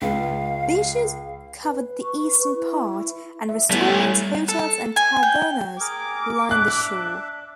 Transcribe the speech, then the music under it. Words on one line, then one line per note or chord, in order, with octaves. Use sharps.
Beaches cover the eastern part and restaurants, hotels, and tavernas line the shore.
C#2 F5
B4
C#6
E4
E5
G3 A3 B3 C#4 E4
A4
G#5
G5
G#4 A#4 D6
D4 E5 F#6